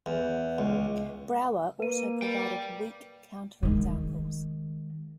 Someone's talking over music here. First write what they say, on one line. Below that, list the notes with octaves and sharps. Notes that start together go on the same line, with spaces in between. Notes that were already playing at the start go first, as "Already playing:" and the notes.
Brouwer also provided "weak" counterexamples.
E2
C#2
A#3 B4 D#7
D5 G5
D#3 G#3